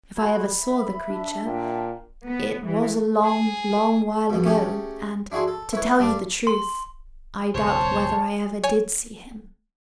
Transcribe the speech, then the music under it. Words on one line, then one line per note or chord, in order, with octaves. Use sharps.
If I ever saw the creature, it was a long, long while ago; and, to tell you the truth, I doubt whether I ever did see him.
F#4 B5 C6 G#6
E5
D4
A#2 G5
B3
E3
G#4
F2 B2
A3 C#4 G4 G#4
D4 E4 F#4 G#4 C6
A4
E4 B4 C#5
G2 D4 A5 D6
C6
F#1 B1 F#2 C5 C#5 A5
C#5 G#5